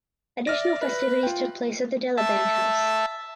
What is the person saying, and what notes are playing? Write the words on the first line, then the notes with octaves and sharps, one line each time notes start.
Additional festivities took place at the Delavan House.
D5 E5 F6 A#6
B4
F4 G5
E5 A5